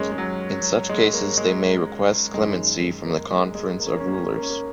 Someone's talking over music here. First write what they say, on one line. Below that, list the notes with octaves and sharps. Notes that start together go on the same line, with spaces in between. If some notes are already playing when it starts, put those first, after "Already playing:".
In such case, they may request clemency from the Conference of Rulers.
Already playing: F#2 D#3 G#3 A#3 C#4
G#3
F#3
G#3
A#3
G#3
F#2 D#3 G#3
A#3
G#3
G#3
A#3
C#4
A#3
C#4
A#3
C#4
A#3
C#4
A#3
C#4
A#3